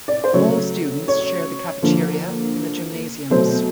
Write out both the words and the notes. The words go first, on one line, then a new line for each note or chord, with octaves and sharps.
All students share the cafeteria and the gymnasiums.
D5
C5
C#3 F#3 A3 C#5
C#5
D3 F3 A#3
B2 F#3 A3 C5